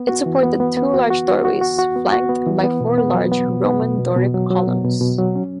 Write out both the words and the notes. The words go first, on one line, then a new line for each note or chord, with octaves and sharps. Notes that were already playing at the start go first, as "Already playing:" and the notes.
It supported two large doorways flanked by four large Roman Doric columns.
Already playing: B3
F#4
E3
B3
B3
B3
F#4
F#4
F#4
F#4
F#4
F#4
B3
F#4
B3
E3
B3
B2
B3
F#3
B3
B2
B3
B2
B2
B2
F#3
F#3
B2
B2
B2
F#3
C#4